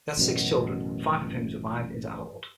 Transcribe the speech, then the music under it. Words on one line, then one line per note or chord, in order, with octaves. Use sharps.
They had six children, five of whom survived into adulthood.
A1 F#2 B2